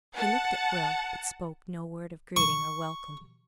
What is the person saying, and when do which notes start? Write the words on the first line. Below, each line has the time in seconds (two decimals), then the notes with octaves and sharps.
He looked at Will, but spoke no word of greeting or welcome.
0.15 F#5 A5
2.36 C#6